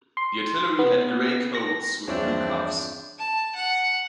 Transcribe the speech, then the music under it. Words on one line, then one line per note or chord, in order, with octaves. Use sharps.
The artillery had grey coats with blue cuffs.
C6
B3
A#6
E2 G2 F3 C4 D4 G#4 C#5 E5
A5
F#5